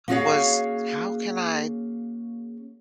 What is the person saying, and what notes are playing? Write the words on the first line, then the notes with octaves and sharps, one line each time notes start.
was, "How can I
A#3 C#4 F#4 G#4 C#5 F5